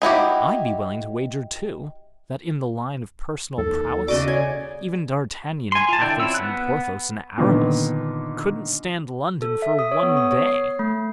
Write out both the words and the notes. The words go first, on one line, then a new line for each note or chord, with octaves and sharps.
"I'd be willing to wager too that, in the line of personal prowess, even D'Artagnan and Athos and Porthos and Aramis couldn't stand London for one day."
D#4 E4 F#4 G4
D#2 A4
C#3 F#4 D5 D#5 D6
C#5 G#5
G#5 C6
F4 A5
D3 E4 D5 G5
C4 C#4 E4 F4 E6
B3 F#6
A#2 D3 D#3 B3
A4
E5
D#6
C#5
B3
D#6
C#5
C7
A3